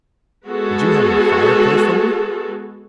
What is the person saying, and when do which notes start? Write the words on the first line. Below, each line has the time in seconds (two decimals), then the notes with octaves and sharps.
"Would you have a fireplace for me?"
0.47 G#3 B3 F#4 G#4 A4